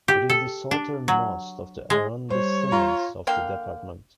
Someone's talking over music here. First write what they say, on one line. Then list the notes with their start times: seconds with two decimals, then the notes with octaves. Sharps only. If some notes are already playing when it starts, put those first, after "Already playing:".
It is the southernmost of the arrondissements of the department.
0.08 G4
0.30 A4
0.71 D4
1.08 F#3
1.90 G#3
2.30 G3 C5 C#5
2.72 F4 A#5
3.27 D3 A#3 F5 G5